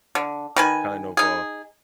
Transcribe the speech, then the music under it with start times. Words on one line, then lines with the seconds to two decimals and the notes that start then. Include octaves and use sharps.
kind of, uh,
0.15 D3
0.56 D#3 B4 G#5
1.17 D#4 G#4